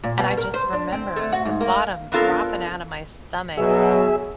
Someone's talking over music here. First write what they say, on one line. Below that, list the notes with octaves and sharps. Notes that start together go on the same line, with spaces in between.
and I just remember the bottom dropping outta my stomach,
A#2
B2
A#4
C5
D4
C4
A3
F#4
G#2
A#3
B3 C4 D4 F4 A4 A#4
B2 F#3 G#4 E5